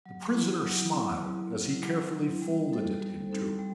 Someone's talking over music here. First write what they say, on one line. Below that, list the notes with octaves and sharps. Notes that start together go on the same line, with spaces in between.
The prisoner smiled as he carefully folded it in two.
F#3
C4 E4
F#3
C4 E4
F#3
C4 E4
F#3
C4 E4
G3
C4 D#4 A4 C5
G3
C4 D#4 A4 C5
G3